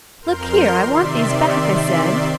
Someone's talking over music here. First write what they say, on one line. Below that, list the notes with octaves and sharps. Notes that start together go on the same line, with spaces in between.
'Look here, I want these back,' I said.
F2 A#4 C6 F6 G6
C3 D#3 D5 E5 C6